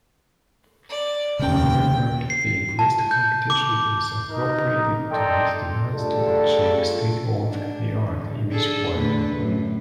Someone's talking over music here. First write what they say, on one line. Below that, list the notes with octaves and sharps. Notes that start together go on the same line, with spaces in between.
However, the increased computation is appropriated to meet demands to achieve state-of-the-art image quality.
D5
F1 D#2 C#3 C#4 G5
C7
A5
G6
D6
D#4 A#4
A4 D5 D#5 G5 A#5 C6
G3 A3 D4 F4 G#4 A4
D4
D3
D4 G#4 A4
A2 D3 B4
F#2 A2